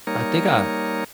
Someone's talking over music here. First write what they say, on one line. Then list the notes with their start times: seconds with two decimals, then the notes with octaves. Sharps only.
I think I
0.07 G3 A#3 D#4 A#4 C#5